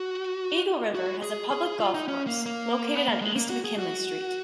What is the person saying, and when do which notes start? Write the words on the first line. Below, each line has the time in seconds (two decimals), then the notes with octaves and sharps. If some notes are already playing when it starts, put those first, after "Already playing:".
Eagle River has a public golf course, located on East McKinley Street.
Already playing: F#4
0.95 F#4
1.23 G#4
1.51 G#4
1.65 G#4
1.80 F4
1.94 D#4
2.08 C#4
2.27 A#3
2.46 A#3
2.96 B3
3.08 A#3
3.22 G#3
3.36 A#3
3.50 F#4
3.64 G#4
3.78 F#4